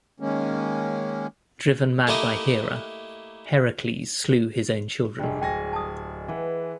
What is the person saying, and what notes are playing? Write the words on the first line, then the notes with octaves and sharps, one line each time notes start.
Driven mad by Hera, Heracles slew his own children.
D#3 G#3 A#3 C#4
A3 A#3 E4 G4 D#5
F1 G2 G3 G#3
D1 G5 G#5 A#6
A5 D#6
E3 G#4 B4 F#5